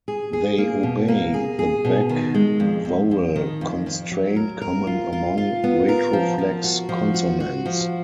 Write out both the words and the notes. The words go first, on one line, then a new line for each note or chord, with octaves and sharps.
They obey the back-vowel constraint common among retroflex consonants.
G#4
G#4
A#3
B2
A#3
G#4
G#4
B2
D#3
G#3
F2
F2
F2
D#3
F2
F2
F#3
A#4
A#4
F4
F4
F4
B3
A#4
F3
F3
F#4
F3
F#4
F#4
F3